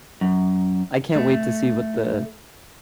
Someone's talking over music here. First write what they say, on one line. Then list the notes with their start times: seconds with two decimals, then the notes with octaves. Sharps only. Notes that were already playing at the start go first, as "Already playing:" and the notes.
I can't wait to see what the
0.21 F#2
1.15 A3